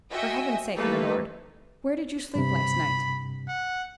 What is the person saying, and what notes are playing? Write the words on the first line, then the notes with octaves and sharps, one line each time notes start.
"For Heaven's sake, my Lord, where did you sleep last night?"
F#4 D#5 E5 G5 G#5 E6
E3 G3 A3 A#3 A4 B4
G2 C3 B5
F#5